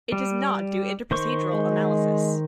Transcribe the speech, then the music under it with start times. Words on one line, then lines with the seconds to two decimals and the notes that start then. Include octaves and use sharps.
It does not do inter-procedural analysis.
0.12 G3
1.11 D#3 C5 C#6
1.54 G#3